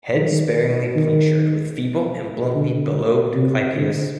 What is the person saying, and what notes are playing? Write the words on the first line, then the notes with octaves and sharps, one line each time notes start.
Head sparingly punctured with feeble and bluntly bilobed clypeus.
D#3
D#3
D3
C3
D3